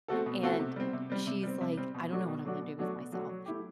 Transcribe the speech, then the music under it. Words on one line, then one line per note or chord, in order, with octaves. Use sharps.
and she's like, "I don't know what I'm gonna do with myself."
A3 C4 F#4 A4
B2
A3 C4 F#4 A4
C3
G3 C4
C3
G3 C4
C3
G3 C4
C3
G3 C4
B2
F#3 A3 D4 F#4
B2
F#3 A3 D4 F#4
B2
F#3 A3 D4 F#4
B2
F#3 A3 D4 F#4
F#3
A3 E4 G4